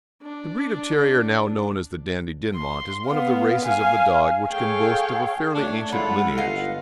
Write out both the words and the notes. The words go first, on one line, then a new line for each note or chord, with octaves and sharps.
The breed of terrier now known as the Dandie Dinmont is one of the races of the dog which can boast of a fairly ancient lineage.
D4
C6
B3 F5
F5 G#5
G#4 A4 C#5 F5 G5
A3 D4 C#5
G#3 E4 F4 A4 F#5
G1 D#5 F5